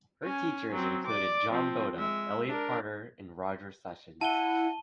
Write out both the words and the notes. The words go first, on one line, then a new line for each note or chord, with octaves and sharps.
Her teachers included John Boda, Elliott Carter, and Roger Sessions.
C#4 G#5
F#3 C4
D5 D6
F3 C4
G#3 E5
D4 A#4
E4 F#5 A5 D#7 G7